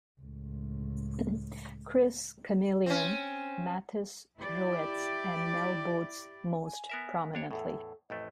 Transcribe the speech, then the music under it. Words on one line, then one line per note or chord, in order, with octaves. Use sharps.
Chris Chameleon, Mathys Roets and Mel Botes most prominently.
C#2 A2
C4 C#4
E4 G4 D5
G#5
B3 A#4 E5
F2 D4 C#5
E2 A2 A4
A1 F2 A3 D#5